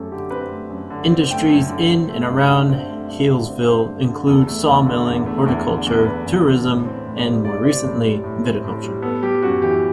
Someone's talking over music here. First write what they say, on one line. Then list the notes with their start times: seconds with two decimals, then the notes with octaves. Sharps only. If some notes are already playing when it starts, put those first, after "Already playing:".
Industries in and around Healesville include sawmilling, horticulture, tourism and, more recently, viticulture.
Already playing: F#2 A3 C4 G4 A4
0.12 D3 G4
0.31 C4 B4
0.50 A3
0.70 F#2
0.90 D3
1.11 C4
1.30 A3 G5
1.50 F#2
1.69 D3
1.89 C4
2.09 A3
2.29 G2
2.49 D3 F#5
2.69 C4
2.88 A3
3.08 G2
3.29 D3
3.48 C4
3.68 A3 C5
3.87 G2
4.08 D3
4.27 E2 A4
4.47 A3
4.68 E2
4.86 D3
5.07 E2
5.26 A3
5.46 E2
5.66 D3
5.86 E2
6.05 A3 B4
6.26 E2
6.46 D3
6.65 A2
6.86 C4
7.05 A2
7.17 D5
7.25 G3 C5
7.44 A2 D5
7.64 C4 D5
7.84 A2 C5
8.04 G3
8.24 A2
8.44 C4
8.64 A2
8.83 G3
9.02 B3 A4
9.22 G3 G4
9.43 F#2 F#4
9.62 E3 G4